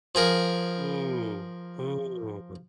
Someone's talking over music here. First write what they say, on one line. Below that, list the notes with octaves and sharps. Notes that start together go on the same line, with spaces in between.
Ooh. Ooh.
F3 G#4 A#4